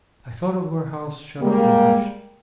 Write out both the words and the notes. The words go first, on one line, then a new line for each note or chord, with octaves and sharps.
I thought of our house shut up and hushed.
G3 G#3 A#3